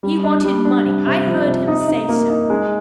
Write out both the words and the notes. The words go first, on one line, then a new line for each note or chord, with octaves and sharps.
He wanted money; I heard him say so.
G3
D4
G3
D4
C3
C3
F3
C3
D#4
D#4
A#3
D#4
G#3